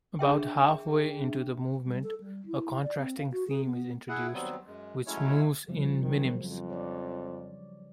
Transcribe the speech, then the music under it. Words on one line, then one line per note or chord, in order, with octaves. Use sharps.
About halfway into the movement, a contrasting theme is introduced, which moves in minims.
D4 G#4 E5 G5
G3
A4
G3
E4
D5
C4
F5
F#4
G#4
B3
E4 G#4 F#5
D#2 F#3 G3 B3 C4
F#2 G#3
F#3 G#3 A3 C#4 E4 C#5
C#3 F3 G3
D#3 F#3
F2
C#5 D5